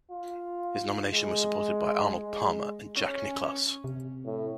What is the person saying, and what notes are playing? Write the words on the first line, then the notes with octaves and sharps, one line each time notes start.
His nomination was supported by Arnold Palmer and Jack Nicklaus.
F4
G#3
G#3
C#4
C3
A2